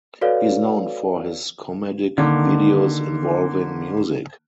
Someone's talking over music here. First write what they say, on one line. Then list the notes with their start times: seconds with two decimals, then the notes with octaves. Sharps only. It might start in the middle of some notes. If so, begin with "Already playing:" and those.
He is known for his comedic videos involving music.
0.21 F#4 A4 B4 C#5 D5 F5
2.18 D3 D#3 A#3